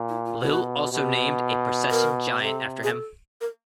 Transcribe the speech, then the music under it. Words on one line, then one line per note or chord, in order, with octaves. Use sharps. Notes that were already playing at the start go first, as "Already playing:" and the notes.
Lille also named a procession giant after him.
Already playing: A#2
E4
F4
B2 F#4
F#4
B2 G4
A#4
C3 A4
G#4
A4
A#4